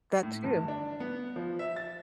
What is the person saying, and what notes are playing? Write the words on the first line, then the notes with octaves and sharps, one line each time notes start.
That too.
A2
G1
D4
B3
F3
E5
A6